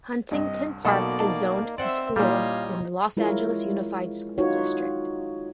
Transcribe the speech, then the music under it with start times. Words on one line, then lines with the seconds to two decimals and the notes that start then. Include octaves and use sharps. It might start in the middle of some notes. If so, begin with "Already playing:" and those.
Huntington Park is zoned to schools in the Los Angeles Unified School District.
0.31 C2 G2 D#5
0.85 B1 B2 A#3 A4 D5 D#5
1.20 A#3 D#4 A5
1.78 C4 C5 D5 E5 F#5
2.16 A#2 E3 G3 A#3 C#5 D#5 F5
3.17 G#3 E4 F4 A#4 C#5
4.38 D#4 F4 F#4 C#5